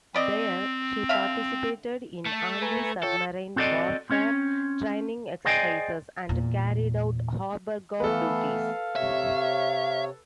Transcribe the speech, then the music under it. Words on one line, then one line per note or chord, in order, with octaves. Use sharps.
There, she participated in antisubmarine warfare training exercises and carried out harbor guard duties.
C4 B4 D5 D#5
D3 E5 F5
A3 A4
B4 G#5 A#5
F4 A4 C#5 G5
C4 F#4 A4 D5 D#5
C4 C#4 C#5
G#4 C5 D5 D#5 G5 G#5
E2 A#2
E3 A3 B3 A4 B4 F5
C3 C#5 E5